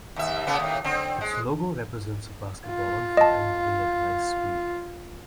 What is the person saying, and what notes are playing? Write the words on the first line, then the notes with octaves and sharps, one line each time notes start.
Its logo represents a basketball on fire moving at high speed.
D#2 E5
A#2 C#3 B3
D#2 A2
D3 C4
G#3
F4
D#5 A5